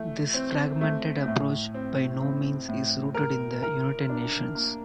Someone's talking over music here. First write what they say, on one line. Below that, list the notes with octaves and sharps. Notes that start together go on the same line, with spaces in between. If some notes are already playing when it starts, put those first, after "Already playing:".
This fragmented approach by no means is rooted in the United Nations.
Already playing: E3 A3
C4
A3
A2
C4
C4
A2
A#4
A#4
D4
A#3